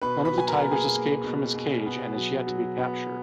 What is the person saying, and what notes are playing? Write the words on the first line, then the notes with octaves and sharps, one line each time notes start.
One of the tigers escaped from its cage and is yet to be captured.
B2 B4 B5
B4 B5
F#3
G#5
A#4 A#5
A#3
G#4 G#5
A#3
B2
B2
B3
F#3
F#3
B3